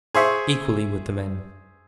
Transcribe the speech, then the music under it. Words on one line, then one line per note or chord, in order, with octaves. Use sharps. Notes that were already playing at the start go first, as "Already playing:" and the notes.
Equally with the men.
G#4 C5 E5 C#6